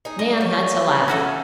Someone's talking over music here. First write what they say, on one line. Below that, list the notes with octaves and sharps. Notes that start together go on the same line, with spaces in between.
Nan had to laugh.
D#4 G#4
D4 D#5
C#4 G4
C#4 F4 F#4 G#4 A4 E5